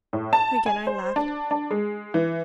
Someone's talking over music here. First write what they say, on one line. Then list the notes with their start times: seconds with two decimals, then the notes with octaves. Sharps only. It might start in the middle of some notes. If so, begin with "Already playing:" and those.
Again I laughed.
0.13 A2
0.33 A5
0.66 G#5
0.87 C5
1.16 D4
1.51 D4
1.71 G#3
2.14 E3